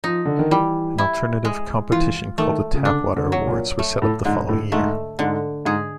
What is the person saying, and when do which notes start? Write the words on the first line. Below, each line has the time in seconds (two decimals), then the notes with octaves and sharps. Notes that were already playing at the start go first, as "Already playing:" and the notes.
An alternative competition called the Tap Water Awards was set up the following year.
0.04 F3 D#4
0.25 D3
0.39 D#3
0.51 E3 G3
0.98 E4
1.45 G#3
1.91 E3 F4
2.38 D#3 A3
2.74 C#3
2.85 D3 D4
3.16 D3
3.32 F#3
3.47 A#2
3.79 A3
4.02 A2
4.25 G#2 D3
4.49 A2
4.72 G#2 A3
5.19 G#2 D3
5.65 G#2 G#4